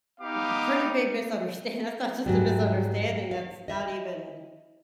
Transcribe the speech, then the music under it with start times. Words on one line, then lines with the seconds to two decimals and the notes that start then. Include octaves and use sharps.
a pretty big misunderstand that's not just a misunderstanding, that's not even
0.21 B3 D#4 G4 F5 D6
2.26 G#2 F#3 G3
3.31 F5
3.68 D#5 E5